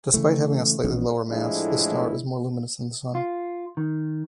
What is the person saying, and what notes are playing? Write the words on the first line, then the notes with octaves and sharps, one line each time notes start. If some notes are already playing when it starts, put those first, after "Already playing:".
Despite having a slightly lower mass, this star is more luminous than the Sun.
C#3 E3 A3
A#1 E3 B3 C#4
A2 F3 G#3 A3 D4 E4
F4
D#3